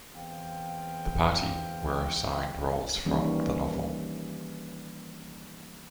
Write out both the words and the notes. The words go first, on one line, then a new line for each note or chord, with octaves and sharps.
The party were assigned roles from the novel.
E2 C4 F5 G5
D#3 E3 G3 A#3 C#4